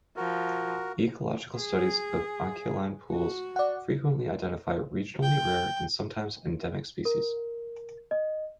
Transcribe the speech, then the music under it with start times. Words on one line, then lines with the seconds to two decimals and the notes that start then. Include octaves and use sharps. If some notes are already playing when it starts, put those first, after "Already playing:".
Ecological studies of anchialine pools frequently identify regionally rare and sometimes endemic species.
0.17 F3 F#4 A#4
1.57 G#4
3.11 F#4
3.56 D5 F#5
5.23 G5
7.05 A#4
8.11 D#5